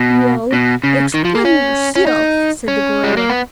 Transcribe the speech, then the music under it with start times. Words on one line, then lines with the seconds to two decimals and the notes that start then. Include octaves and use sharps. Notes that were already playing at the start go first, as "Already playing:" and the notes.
"Well, explain yourself," said the gorilla.
Already playing: B2
0.53 B2
0.84 C#3
1.14 D#3
1.25 F3
1.35 A#3
1.45 C#4
1.95 C#4
2.07 D#4
2.68 C#4
3.04 G#3
3.17 A#3
3.30 B3